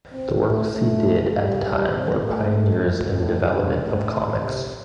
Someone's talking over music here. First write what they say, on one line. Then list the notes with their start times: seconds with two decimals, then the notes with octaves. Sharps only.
The works he did at that time were pioneers in the development of comics.
0.13 C4
0.44 A3
0.74 A3
1.35 G3
1.65 G3
1.95 C4
2.26 A3
3.18 A2
3.48 G2
3.79 A2
4.40 C3